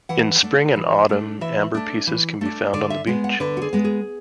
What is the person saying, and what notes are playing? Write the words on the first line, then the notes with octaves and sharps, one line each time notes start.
In Spring and Autumn amber pieces can be found on the beach.
E3 F#5
A3 D4
E3
A3 D4
E3 E5
A3 D4
E3
A3 D4
D3 D5
E5
G#3 B3
F#5
D3 B4
F#4
G#4
G#3 B3
G#4